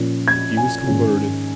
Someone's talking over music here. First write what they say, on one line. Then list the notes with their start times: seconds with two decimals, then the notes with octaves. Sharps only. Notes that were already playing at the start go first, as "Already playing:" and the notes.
He was converted.
Already playing: A#2 F3 C#4
0.28 G#6
0.57 G#5
0.87 G#2 D#3 C#4